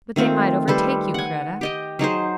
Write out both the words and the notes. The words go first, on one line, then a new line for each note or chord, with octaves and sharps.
"But they might overtake you, Kreta."
D#3 A3 C4 F4
G3 A4 B4 C5
F#5 G#5
G4 D#5 G5
F#3 D#4 G#4 C5